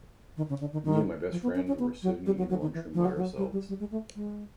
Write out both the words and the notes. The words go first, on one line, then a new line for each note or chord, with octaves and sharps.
Me and my best friend were sitting in the lunchroom by ourselves.
D#3
C#3
D3
D#3
D#3
F3
B3
C#4
C#4
B3
F#3
G3
F#3
F#3
D#3
E3
F3
F#3
F3
F#3
G3
G3
G3
G#3
A3
G#3